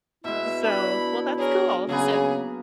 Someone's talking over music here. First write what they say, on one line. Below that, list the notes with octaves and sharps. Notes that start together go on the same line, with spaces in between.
So well, that's cool. So,
B2 G#3 E4 E5
D4 B5
G#4 A#4 C#5
C#3 F#3 A#3 B3 G#4 G#5